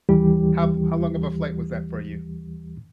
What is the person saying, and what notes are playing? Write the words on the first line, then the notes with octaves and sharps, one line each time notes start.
How how long of a flight was that for you?
D#2 E3 G3 G4